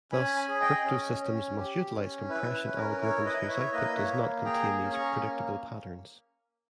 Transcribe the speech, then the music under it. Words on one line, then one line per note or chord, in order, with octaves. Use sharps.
Thus, cryptosystems must utilize compression algorithms whose output does not contain these predictable patterns.
C#4 G#5 B5
G#5 B5
G#4
D#5 G5
C#4
C#4
G4
C#4
E4 B4
B4
C#4
A#4
B4
E4 A#4 C#5
B4 D#5
E4
C#5 E5
A#3 B4 D#5
C#5 E5
A#3
G#4 G5 A#5
C#4
A#5 C#6
A#3